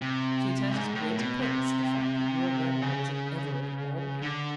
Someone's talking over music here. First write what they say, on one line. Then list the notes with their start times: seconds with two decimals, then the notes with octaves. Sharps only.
She attaches great importance to the fact that your grandmother was an Everard of Albany.
0.02 C3
0.71 G#2
0.95 A2
1.18 B2
1.41 C3
2.82 C#3
4.22 D3